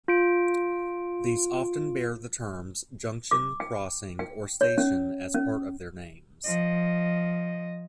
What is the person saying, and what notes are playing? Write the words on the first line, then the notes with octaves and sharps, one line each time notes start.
These often bear the terms "Junction", "Crossing" or "Station" as part of their names.
F4 D7
D6
G5
G5
C#5
C#4
C#4
F3 D#5